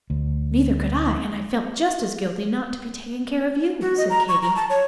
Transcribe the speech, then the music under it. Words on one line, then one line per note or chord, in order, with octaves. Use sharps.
"Neither could I, and I felt just as guilty not to be taking care of you," said Katy.
D2
F#4
D#5
A#5
C#6
A#5
A5
C#5